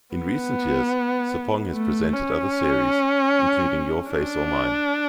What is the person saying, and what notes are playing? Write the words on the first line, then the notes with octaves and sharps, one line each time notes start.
In recent years, Sarpong has presented other series, including Your Face or Mine?
B3
A3
C#4
D4